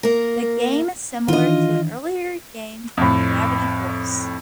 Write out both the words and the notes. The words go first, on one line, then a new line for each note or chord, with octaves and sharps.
The game is similar to an earlier game called Gravity Force.
A#3 A#4
D#3 E3 D4 F4 D#5
F2 A2